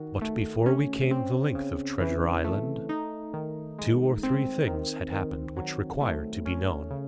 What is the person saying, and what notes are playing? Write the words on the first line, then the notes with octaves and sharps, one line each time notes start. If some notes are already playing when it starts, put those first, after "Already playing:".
But before we came the length of Treasure Island, two or three things had happened which require to be known.
Already playing: D#3 F#4
A3
C#4
C4
C#3
E3
A3
D#4
D#3
G#3
C4
D#3
D#3
F#3
A3
C#4
C#3